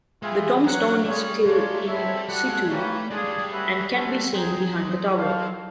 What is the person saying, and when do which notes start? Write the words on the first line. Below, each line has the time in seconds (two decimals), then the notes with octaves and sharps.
The tombstone is still "in situ" and can be seen behind the tower.
0.23 G#3 F4 G#4 B4 E5 G5
0.43 E3
0.63 F#3 F#4 A#4 C#5 F#5
1.05 G3 C#4 F4 G#4 C#5
1.46 G#3 D4 F4 A#4 C#5
1.60 G#3
1.74 A3
1.87 G#3 C4 E4 A4 C#5 E5
2.01 F#3
2.14 G3
2.28 G3 F#4 A4 D5 F#5
2.48 G#3
2.70 G3 A3 A#3 C#4 F#4 B4
3.10 G#3 D4 F4 G#4
3.24 G3
3.38 G3
3.52 A3 C#4 F#4 B4 E5
3.93 A3 C#4 F#4 A4 C5
4.33 F#3 C4 D#4 G#4
4.55 F#3
4.75 G#3 C4 D#4
5.16 F4 A4 C5 F5